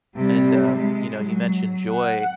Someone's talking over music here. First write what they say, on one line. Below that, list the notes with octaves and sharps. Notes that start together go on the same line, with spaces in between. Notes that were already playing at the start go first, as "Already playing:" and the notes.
And, um, you know you mentioned joy
C3 G3
G#3
F#3
F#5